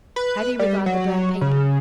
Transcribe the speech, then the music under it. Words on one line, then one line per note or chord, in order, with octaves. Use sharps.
How do you regard the burnt paper?
B4
G3
F#3
C#3